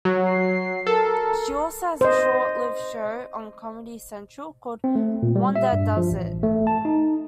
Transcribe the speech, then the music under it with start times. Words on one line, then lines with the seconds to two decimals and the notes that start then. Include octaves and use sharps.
She also had a short-lived show on Comedy Central called "Wanda Does It".
0.05 F#3
0.26 C7
0.87 A4 A#4
2.01 C5 D#5
4.84 C4
4.96 A3
5.23 A#2
5.36 G3
5.56 E5
5.72 G2
5.97 F3
6.11 A1
6.43 A3
6.67 A5
6.85 D#4